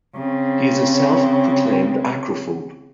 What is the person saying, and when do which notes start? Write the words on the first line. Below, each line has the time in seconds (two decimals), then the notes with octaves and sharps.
He is a self-proclaimed acrophobe.
0.15 C#3 C4